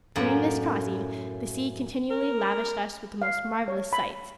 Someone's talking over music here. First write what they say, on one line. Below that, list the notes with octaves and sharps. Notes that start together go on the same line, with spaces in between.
During this crossing, the sea continually lavished us with the most marvelous sights.
F#2 A2 A#3 F#5
A#4
F5
C#5
B5